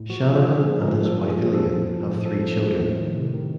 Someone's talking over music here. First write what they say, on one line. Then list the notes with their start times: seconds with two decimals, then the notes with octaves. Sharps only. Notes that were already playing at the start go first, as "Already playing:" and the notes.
Shanahan and his wife Elaine have three children.
Already playing: A2
0.10 F3 F#4
0.28 A#2
0.33 F4
0.46 F3
0.58 G#4
0.64 A#2
0.81 F3 A#4
1.00 A#2
1.06 A4
1.18 F3
1.29 G#4
1.36 A#2
1.53 F3 A4
1.71 A2
1.89 F3
2.07 A2
2.25 F3 A4
2.43 A2
2.61 F3
2.79 A2
2.97 D#3
3.15 C3
3.33 D#3